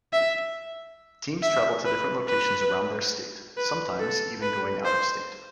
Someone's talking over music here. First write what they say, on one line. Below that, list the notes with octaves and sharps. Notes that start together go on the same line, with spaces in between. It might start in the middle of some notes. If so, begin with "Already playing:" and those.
Teams travel to different locations around their state, sometimes even going out of state.
E5
E5
B4
B4
B4
A4
B4
C5